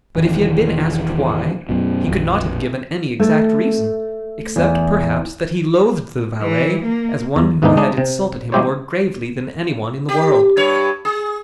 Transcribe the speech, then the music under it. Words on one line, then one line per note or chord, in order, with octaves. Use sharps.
But if he had been asked why, he could not have given any exact reason, except perhaps that he loathed the valet as one who had insulted him more gravely than any one in the world.
E1 D#3 E3
F#2 B2
A#1 F2
A3
E2
E3
A#3
E2
D#2 G#2 E3 B3 D4 D#4
G#3 D4 D#4
C3
F#3 G#3 E4 G4 C5 C#5
G4
G2 C#5
G#4